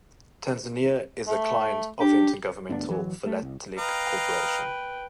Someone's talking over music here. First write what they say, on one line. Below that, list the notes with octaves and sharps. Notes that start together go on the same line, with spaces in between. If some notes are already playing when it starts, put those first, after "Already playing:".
Tanzania is a client of the Inter-Governmental Philatelic Corporation.
A3
D4 G4
D2 G2 B3 D4
D1 E3 F#3
A3
C2
B4 D#5 F5 G5 A#5